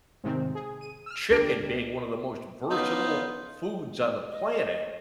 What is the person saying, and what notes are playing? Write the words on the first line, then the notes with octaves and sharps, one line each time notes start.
chicken being one of the most versatile foods on the planet,
G#2 C3 D#3 C4
G#4
D#7
E6 F6
C#2 D4 G4 D7
B3 C#4 D#4 F4
D#5